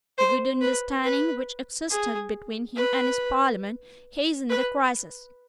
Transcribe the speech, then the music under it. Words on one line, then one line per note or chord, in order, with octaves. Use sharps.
The good understanding which existed between him and his Parliament hastened the crisis.
C5
B4
B4
G#4
B4
B4